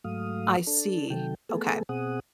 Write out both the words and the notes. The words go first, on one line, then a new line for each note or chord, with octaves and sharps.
I see, okay.
G#2 F#3 A3 F5 D#6
D4 A4
C3 D#3 F#3 A4 G5
A3 B3 G#4 A4
B2 C4 G#4 F#5 D#6